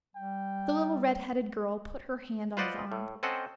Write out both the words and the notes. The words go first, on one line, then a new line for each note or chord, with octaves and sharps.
The little red-headed girl put her hand on his arm.
G3 G5
F4 B4 C5 D5 D#5 F#5
A2
C4 C#4 A4 C5 D#5 F#5